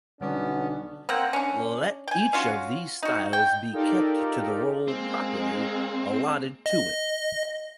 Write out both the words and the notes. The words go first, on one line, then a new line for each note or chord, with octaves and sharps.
Let each of these styles be kept to the role properly allotted to it.
B1 D3 G3 B3 C#4 D4 D6
A#3 C4 F#5
C#4 D4
G5 G#5
C#4 F4 F#4
D#4 F#4
G5
D#4 F4 G4 A4 A#4 D5
G#3 A#3 C4
D#5